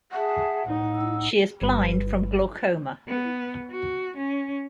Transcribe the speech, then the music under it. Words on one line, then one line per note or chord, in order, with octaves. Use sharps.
She is blind from glaucoma.
G#4 E5 F#5 A5
A2 D#4
E6
G1 G3 B4
B3
F#4
C#4